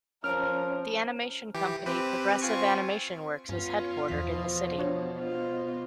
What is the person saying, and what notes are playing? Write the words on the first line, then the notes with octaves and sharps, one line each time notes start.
The animation company Progressive Animation Works is headquartered in the city.
F3 C#4 A#4 F6 D7
E3 G4
C4 G4 B4
F4 G#5 C#6
G2 B3 C#4 F4
E2 B2 E3 F3 B6
D4 F#4 C#5
F4 C5